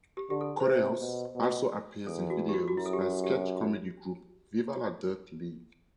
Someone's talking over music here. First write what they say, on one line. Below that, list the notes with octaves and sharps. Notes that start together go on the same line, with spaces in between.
Correos also appears in videos by sketch comedy group Viva La Dirt League.
G4
D3 G4
A4
C5
C3 B4
B2
B2
E2 A4
F#4
G4
F#4
F#4
F#2 E4
A4
G4
F#4
G4